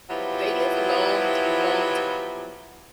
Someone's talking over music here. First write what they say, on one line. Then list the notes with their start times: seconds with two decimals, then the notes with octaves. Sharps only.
They live a long, long time.
0.10 F3 F#3 B3 E4 F4 G4